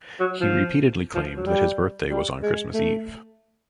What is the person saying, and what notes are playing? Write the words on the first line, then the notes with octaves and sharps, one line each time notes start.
He repeatedly claimed that his birthday was on Christmas Eve.
F#3
F3
F3
F#3
G3
G3
G#3
A3